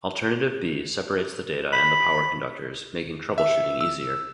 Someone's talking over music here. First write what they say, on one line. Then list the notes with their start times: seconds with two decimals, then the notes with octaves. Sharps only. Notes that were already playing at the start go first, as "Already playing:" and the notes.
Alternative B separates the data and the power conductors, making troubleshooting easier.
1.73 B5
3.38 E5
3.81 E6